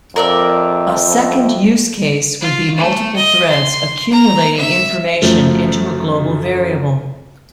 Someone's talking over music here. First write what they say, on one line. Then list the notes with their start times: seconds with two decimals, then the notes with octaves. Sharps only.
A second use case would be multiple threads accumulating information into a global variable.
0.16 F2 A#4 D5 E5
2.41 F4
2.77 A3
3.16 D#5
3.50 C6
4.12 A#5
4.57 E5
5.22 F#2 F3 A3